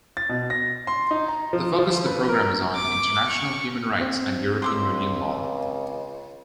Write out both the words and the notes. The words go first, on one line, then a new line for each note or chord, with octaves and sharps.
The focus of the program is on international human rights and European Union law.
A6
B2
A#6
C6
D#4
A#5
F3
F3
B4
A#4
D6
C#6
C4
C#2 C6 D6 E6